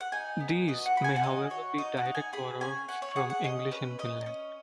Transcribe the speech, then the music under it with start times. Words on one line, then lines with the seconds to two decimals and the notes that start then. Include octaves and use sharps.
These may, however, be direct borrowings from English in Finland.
0.01 F#5
0.12 D#4 G#5
0.40 B3
0.67 F#4 D#5
0.86 F#5
0.95 F#4 B5
1.04 G#5
1.16 F#5
1.23 F#4 D#5
1.50 F#4 C#5
1.78 D#4 D#5
1.97 F#5
2.06 D#4
2.15 G#5
2.33 G#4 B5
2.61 C#4 G#5
2.88 C#4 F#5
3.02 C#5
3.16 G#4 F#5
3.30 F#5
3.44 C#4 D#5
3.71 C#4 B4
3.99 C#4 D#5
4.26 C#4